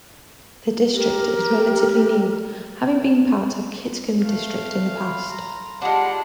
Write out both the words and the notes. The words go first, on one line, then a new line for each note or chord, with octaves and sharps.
The district is relatively new, having been part of Kitgum District in the past.
G4 A#4
A3 F5
B5 C6
A#5
G#3 D4 F4 G4 F#5